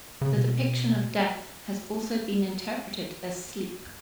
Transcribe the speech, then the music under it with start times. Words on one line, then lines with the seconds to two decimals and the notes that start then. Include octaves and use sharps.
The depiction of death has also been interpreted as sleep.
0.21 C#3
0.32 B2